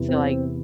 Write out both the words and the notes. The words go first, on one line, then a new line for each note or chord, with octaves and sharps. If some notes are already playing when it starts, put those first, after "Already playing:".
So, like
Already playing: E2 C3 E3
C4